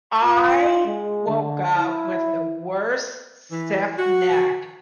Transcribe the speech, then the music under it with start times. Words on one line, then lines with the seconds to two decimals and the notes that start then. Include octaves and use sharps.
I woke up with the worst stiff neck
0.23 F4
0.86 G#3
1.28 D3
1.76 E4
3.51 E3
3.98 F#4